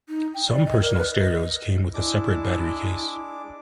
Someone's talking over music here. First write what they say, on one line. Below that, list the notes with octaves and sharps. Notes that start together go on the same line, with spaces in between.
Some personal stereos came with a separate battery case.
D#4
G5
D5
D#5
A#4
B4
D#5
G#3 D4 E4 D6